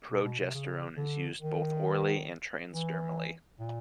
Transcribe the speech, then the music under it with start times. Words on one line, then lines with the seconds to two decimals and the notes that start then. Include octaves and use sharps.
Progesterone is used both orally and transdermally.
0.10 B2
0.25 B2
0.40 C3
0.54 C#3
0.97 D3
1.41 D#3
2.72 E3
3.59 A#2